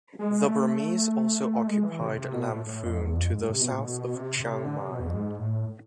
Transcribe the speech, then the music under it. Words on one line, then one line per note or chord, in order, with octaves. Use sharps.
The Burmese also occupied Lamphun to the south of Chiang Mai.
G#3
A3
G#3
E3
C3
C3
B2
A2
A2
F2
E2
F2
G#2
C3
B2
A2
B2
C3
C3
D3
C3
B2
E2
F2
G#2
A2